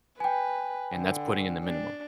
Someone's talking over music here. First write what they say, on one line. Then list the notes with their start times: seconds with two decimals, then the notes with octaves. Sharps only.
And that's putting in the minimum.
0.20 B4 G5 G#5
0.94 D3
1.65 D4